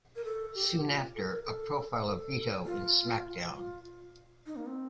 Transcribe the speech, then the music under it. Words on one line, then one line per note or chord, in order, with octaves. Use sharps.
Soon after, a profile of Vito in SmackDown!
A#4
A4
G4
F4
A4
A#4
A4
A4
F4
F4
D#4
A#3
C4